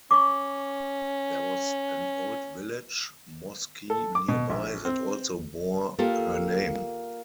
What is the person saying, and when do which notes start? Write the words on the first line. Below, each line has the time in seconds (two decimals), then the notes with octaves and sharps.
There was an old village mosque nearby that also bore her name.
0.11 C#4 C#6 D6
3.90 A4
4.15 D6
4.28 B2
4.49 A#1
4.85 C4
5.99 A#3 F4 G4 A4 A#4